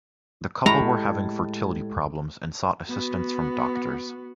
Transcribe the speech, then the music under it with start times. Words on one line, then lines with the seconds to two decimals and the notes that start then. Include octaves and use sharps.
The couple were having fertility problems and sought assistance from doctors.
0.66 A2 G#3 G4 D#5 A#5
2.90 B3 F#4